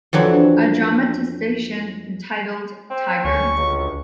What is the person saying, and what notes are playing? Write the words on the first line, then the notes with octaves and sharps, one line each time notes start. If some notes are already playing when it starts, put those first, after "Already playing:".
A dramatisation titled Tiger!
F2 E3 F#3 D4
C4
D2 C#4 C#6
C#2